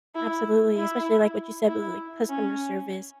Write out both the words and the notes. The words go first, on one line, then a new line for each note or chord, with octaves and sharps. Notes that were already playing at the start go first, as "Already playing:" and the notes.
Absolutely, especially, like, what you said with, like, customer service.
E4
E4
E4
C#4